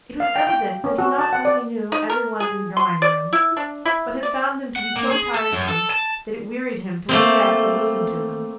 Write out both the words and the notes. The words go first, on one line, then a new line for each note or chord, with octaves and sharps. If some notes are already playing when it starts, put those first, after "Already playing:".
It was evident that he not only knew everyone in the drawing room, but had found them to be so tiresome that it wearied him to look at or listen to them.
F5
G5
G5
C#4
F#4
A5
F#5
D5
D#4
A#4
G#4
C6
D5
E4
D4
E4
D5
F#5
A#3
G#4
A4
F#2
A4
A5
A3 A#3 C4